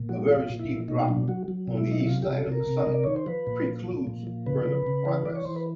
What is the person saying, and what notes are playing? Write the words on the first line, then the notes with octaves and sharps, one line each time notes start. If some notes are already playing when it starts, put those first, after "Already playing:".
A very steep drop on the east side of the summit precludes further progress.
Already playing: A#2
F3 F#4
F3 F4
A#2
E4
A#2
B2 D#4
D#4
F#3 D4
F#3 F#4
F#3
B2
E4
F#3 D#4
E4
C3 F4
G4
C3
A4
C3 A#4
C3
D#5
C3
D5
D#3 C#5
C5
F3 B4
A#2
F3
F3
A#2
F3
C#3 B4
C#3
C#3
E3
E3 D5
C#5
E3 C5
B4